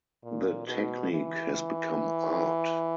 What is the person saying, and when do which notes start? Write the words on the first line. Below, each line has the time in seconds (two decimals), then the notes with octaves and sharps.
The technique has become art.
0.23 A#2
0.67 B2
1.11 E3